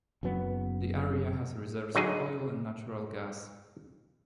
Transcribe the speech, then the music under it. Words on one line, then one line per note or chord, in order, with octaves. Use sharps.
The area has reserves of oil and natural gas.
F#1 F#2 F#3 B3
D3 F#3 D#4 G#4